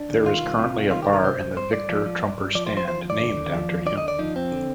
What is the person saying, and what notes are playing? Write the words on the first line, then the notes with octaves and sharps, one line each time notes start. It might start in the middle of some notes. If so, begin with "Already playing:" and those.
There is currently a bar in the Victor Trumper Stand named after him.
Already playing: D4
D#2
D#3 F4
C2
C3
C2
D#3 F4
G4
C2
A#4
C3 C5
C2
G2 C5
G2 D5
F3
F3
G2
G2
F3 D5
C5
F3
C5
F3 C5
D#2
D5
D3
D#2
F3
D#2
D3 D5
D#5
D#2
D5
F3 D#4
F2 C4
D3